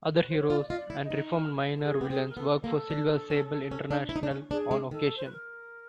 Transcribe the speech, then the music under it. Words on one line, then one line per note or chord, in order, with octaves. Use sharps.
Other heroes and reformed minor villains work for Silver Sable International on occasion.
B4
C5
C#5
F4 D5
F4 D#5
D5
E4
D#5
D#4
A#4
A4
G#4
B3 G4
C4 G#4
A#4
B3 A4
A#3 A4
D4
C#4
C#4
D4
E4
D#4
D4
C#4
D4 G#4
G#3
D#3 A4
C5
B4
A#4